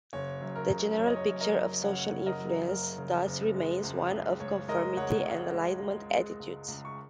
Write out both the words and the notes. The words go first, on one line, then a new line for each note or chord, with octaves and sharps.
The general picture of social influence thus remains one of conformity and alignment attitudes.
F#1 C#5
F#2
A#4
C#3
F#2 C#5
D#5
C#5
F#2
A#4 D#5
F#2
C#3 C#5 F#5
C#3
A#4 D#5
F#3
F#1 A#4
C#3
F#1
G#3
C#2
C#2
C#2 C#5
G#3 A#4 D#5
C#2 C#5 F#5
C#2
G#3
G#3
G#3
C#2
C#2
C#6